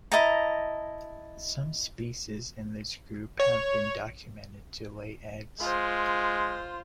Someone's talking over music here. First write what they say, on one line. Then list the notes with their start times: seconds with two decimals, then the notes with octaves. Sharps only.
Some species in this group have been documented to lay eggs.
0.12 E4 D#5 A5 A#5
3.39 C#5
5.60 G#3 F4 C5